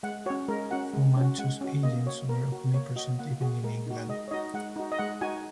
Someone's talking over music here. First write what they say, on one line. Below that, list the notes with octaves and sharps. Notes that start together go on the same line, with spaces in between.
Fu Manchu's agents were omnipresent even in England.
G#3 F#5
C#4 F#4 C#5
G#3 A#4
C#4 F#4 F#5
G#3
C#4 F#4
G#3 F#5
C#4 F#4
A#3 D#5
F#4 C#5
A#3 A#4
F#4
A#3 C#5
F#4 D#5
A#3 F#5
F#4 G#4
G#3 A#4
D#4 F#4
G#3 D#5
C#5
D#4 F#4 D#5
G#3 F#5
D#4 F#4
D#5
G#3 F#5
D#4 F#4 G#5